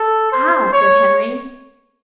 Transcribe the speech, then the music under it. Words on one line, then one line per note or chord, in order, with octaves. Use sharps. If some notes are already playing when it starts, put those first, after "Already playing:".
"Ah!" said Henry.
Already playing: A4
C5
C#5